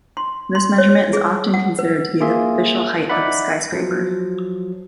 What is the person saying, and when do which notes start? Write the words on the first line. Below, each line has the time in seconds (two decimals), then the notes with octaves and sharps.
This measurement is often considered to be the official height of a skyscraper.
0.17 C6
0.55 C6
0.78 C#5
1.13 G#4
1.54 F#5
1.79 B4
2.20 A#3 F4 G#4 E5
3.09 D#4 D5 E5 F#5 B5
3.72 F3 F#3